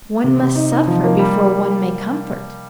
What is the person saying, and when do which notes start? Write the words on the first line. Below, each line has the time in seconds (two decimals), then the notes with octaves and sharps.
One must suffer before one may comfort.
0.24 C3
0.39 C3
0.55 D#4
0.72 D#4
0.88 F3
1.04 A#3
1.19 G3